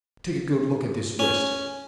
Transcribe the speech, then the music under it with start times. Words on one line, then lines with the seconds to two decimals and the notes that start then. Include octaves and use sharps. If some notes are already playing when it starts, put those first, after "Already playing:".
Take a good look at this wrist.
1.19 C#4